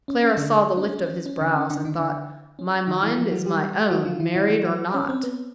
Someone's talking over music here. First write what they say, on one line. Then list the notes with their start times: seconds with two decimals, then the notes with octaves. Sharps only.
Clara saw the lift of his brows, and thought, "My mind is my own, married or not."
0.08 C#4
0.24 C#4
0.37 D3 D4
0.77 D4
0.82 C#4
1.03 C#4
1.26 C#4
1.41 D3 D4
1.56 C#4
1.70 D3 D4
1.85 D#3 D#4
1.99 D3 D4
2.59 C#4
2.87 D#3 D#4
3.03 E3 E4
3.18 F3 F4
3.31 F#3 F#4
3.46 G3 G4
3.90 F#3 F#4
4.05 F3 F4
4.20 E3 E4
4.35 E3 E4
4.50 E3 E4
4.64 F#3 F#4
4.94 C#4 C#5
5.09 C4 C5
5.23 B3 B4